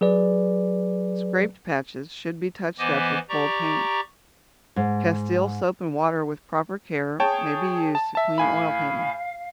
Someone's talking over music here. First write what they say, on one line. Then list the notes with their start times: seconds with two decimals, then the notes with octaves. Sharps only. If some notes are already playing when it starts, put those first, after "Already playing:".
Scraped patches should be touched up with gold paint. Castile soap and water, with proper care, may be used to clean oil paintings.
0.01 F#3 G#4 B4 D5
2.79 E3 B3 C5 D#5 G#5 D6
3.29 G4 D5 A#5 C#6
4.76 G#2
7.20 G#4 C#5 G5 A5
7.95 A5
8.15 E5 A5
8.38 A2 F5 G#5 B5